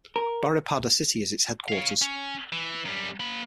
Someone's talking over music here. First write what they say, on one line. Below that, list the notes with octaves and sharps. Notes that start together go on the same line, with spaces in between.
Baripada city is its headquarters.
A#4
C#5 F5
C#4
E3
F#2 G3
A#3 B5